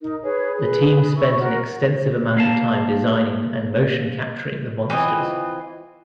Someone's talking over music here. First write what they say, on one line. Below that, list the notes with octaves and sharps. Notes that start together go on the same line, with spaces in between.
The team spent an extensive amount of time designing and motion capturing the monsters.
D#4 A#4
G#4 B4 C#5
G#4 B4
E4 C#6
F#4 A#4
A#3 F5 A5
E3 C4 F4 D#5